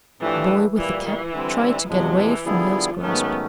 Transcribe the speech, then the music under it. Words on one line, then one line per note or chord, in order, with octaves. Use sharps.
The boy with the cap tried to get away from Hale's grasp.
A2 E3 F3 A3 D4 G4
A#2 E3 G3 A#3
E3
D3 G3 C4
E2 C3 F3 F#3 G#3
E3
D3 F3 G3 B3 E4 G#4
G#2 D#3 F#3 A3 B3 C#4